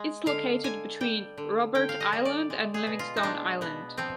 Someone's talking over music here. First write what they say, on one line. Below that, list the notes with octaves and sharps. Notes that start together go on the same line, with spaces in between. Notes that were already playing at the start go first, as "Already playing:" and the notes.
It’s located between Robert Island and Livingston Island.
Already playing: G#3
D3 F5
D3 G#5
G3 G5
D3
D3 G5
F5
D#5
G3
D5
G#3
G#4
B2
F4
D#4
G#3 D4
B2 B3
F3 C4